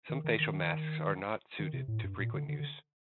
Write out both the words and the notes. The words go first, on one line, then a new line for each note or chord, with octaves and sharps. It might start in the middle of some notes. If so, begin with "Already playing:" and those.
Some facial masks are not suited to frequent use.
D#3
D#3
D#3
D#3
C3
A2
G2
A#2
D3
D3
D3